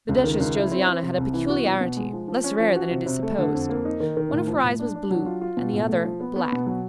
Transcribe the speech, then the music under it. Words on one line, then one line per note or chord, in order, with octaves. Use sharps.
The Duchess Josiana had a peculiarity, less rare than it is supposed. One of her eyes was blue and the other black.
C#2
D#3
C#2
E4
C4
C4
C3
C2
E3
F#4
B2
B2
G#3
F3
F3
C#4
F3
F#4
C3
C3
A3
D3
F2
A#3
D#4
D#3
D#3
A2
F3
A2
D4
D4
F#3
F4
F4
B2
A2
A3
F3
B3
B3
B2
F#3